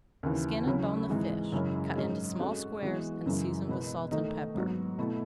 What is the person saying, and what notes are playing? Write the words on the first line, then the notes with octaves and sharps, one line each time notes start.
Skin and bone the fish, cut into small squares, and season with salt and pepper.
D#2 C#3 E3
C#3 F#3 C#4 E4
G#2 E3 G#3
F#2 C#3 G#3 C#4 E4
G#2 F#3 C#4 G#4 D#5
G#3 C#4 F#4 A4
E3 G#3 B3 F#4
F#2 C#3 E3 G#3
B2 G#3 B3 E4 B4
D#3 A3 D#4 A4 D#5
G#2 F#3 B3
B2 A3 E4 A4